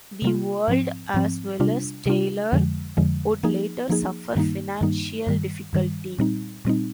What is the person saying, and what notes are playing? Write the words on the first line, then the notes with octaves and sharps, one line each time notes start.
"The World", as well as Taylor, would later suffer financial difficulty.
C3 G3 A#3 F4
G#2 F3 C4
G#2 F3 C4
C3 G3 D4 F4
C3 G3 D4 F4
F2 D3 F3 G#3
F2 D3 F3 G#3
F3 A#3 D#4 G#4
F3 A#3 D#4 G#4
G2 D#3 G3 A#3 D#4
G2 D#3 G3 A#3 D#4
G2 D#3 G3
G2 D#3 G3
A#2 G3 C4 D#4
A#2 G3 C4 D#4